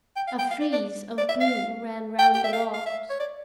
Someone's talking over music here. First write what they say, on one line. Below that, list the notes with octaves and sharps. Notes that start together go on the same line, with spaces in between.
A frieze of blue ran round the walls.
G5
F5
G5
F5
D5
D5
D5
E5
F5
G5
G5
E5
F5
F5
E5
C#5
D5